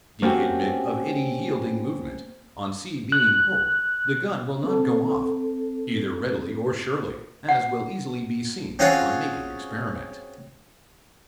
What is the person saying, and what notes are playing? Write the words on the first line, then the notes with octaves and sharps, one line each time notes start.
If D admit of any yielding movement, on C being pulled, the gun will not go off, either readily or surely; as will easily be seen, on making experiment.
A3 A#3 C4 C#4 F#4 G4
F#6
C4 A4
F#5
C4 C#4 F4 F#4 G#4 C#5